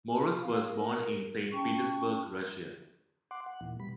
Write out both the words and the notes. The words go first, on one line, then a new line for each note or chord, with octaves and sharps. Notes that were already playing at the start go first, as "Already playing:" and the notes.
Morros was born in Saint Petersburg, Russia.
F5
A#4
C#4 G5 A5 C#6
F#5 C6 D6
F#5
D#2 A#2 E3
B2 G3 B5